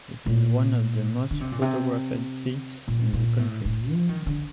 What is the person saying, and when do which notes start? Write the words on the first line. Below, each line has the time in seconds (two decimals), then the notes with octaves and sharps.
It is one of the most photographed peaks in the country.
0.26 A#2
1.31 D3
1.41 C3
1.52 A#2
1.62 C3
2.88 A#2
3.13 A#2
3.39 A2
3.65 A2
3.91 F3
4.09 D#3
4.26 D3